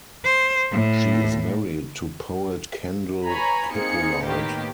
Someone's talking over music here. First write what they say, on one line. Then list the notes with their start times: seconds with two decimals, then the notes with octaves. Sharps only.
She is married to poet Kendel Hippolyte.
0.24 C5
0.72 A2
3.26 B4 C#5 G#5 A#5 B5
3.74 A#3 C4 D#4 G#4 C#7
4.24 A2 D#3 A#3 B3 G4